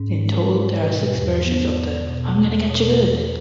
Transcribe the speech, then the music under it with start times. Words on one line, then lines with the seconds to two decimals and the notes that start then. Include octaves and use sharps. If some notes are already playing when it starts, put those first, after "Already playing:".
In total there are six versions of the I'm Gonna Getcha Good!
Already playing: G#2 C#4
0.21 G#3
0.52 G#2
0.83 B2 B4
1.14 E2
1.45 B3
1.76 E2
2.07 B2
2.39 E2
2.69 B2 C#5
3.01 E2
3.17 B4